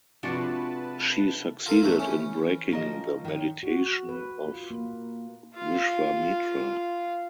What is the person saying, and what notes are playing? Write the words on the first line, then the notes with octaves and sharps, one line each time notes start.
She succeeded in breaking the meditation of Vishwamitra.
C3 F3 G#3 D4 F#4 B4 A5 C#7
F4 A4 A#4
E3 A3 E4
C#4
F3 A#4 D#5
D#3 C#5
F#4
B4
F4
A#3
F4 F5